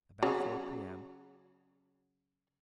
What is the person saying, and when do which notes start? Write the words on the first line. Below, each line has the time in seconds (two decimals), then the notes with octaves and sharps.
About four p.m.
0.22 C#3 F#3